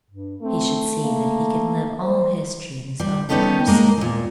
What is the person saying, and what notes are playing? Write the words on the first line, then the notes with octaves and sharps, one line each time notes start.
He should see that he can live all history in his own person.
G2
A3 C4
A#3
C5
G3
G3 B3 C#4 D#4 G4 A4
G#3 A#3 A#4
D#2 A#2